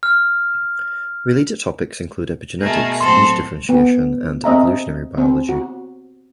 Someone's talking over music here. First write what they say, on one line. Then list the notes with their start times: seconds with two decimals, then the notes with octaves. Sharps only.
Related topics include epigenetics, niche differentiation, and evolutionary biology.
0.03 F6
2.60 B2 A3 G#4 A#4
3.01 A2 F#3 C4 A4 C6
3.69 B3
4.44 C4 D#5 E5 A#5
5.18 C4
5.49 F#4